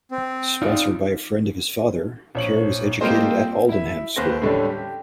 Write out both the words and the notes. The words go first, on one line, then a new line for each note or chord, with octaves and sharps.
Sponsored by a friend of his father, Kerr was educated at Aldenham School.
C4
D#4 F4 D5
A#1 C#5 F#7
G3 A#3 C4 F4 C5 D#5
E4 E5
D#2 B4 C5 A#6
A2 D3 G3 A3 C#4 D4
G4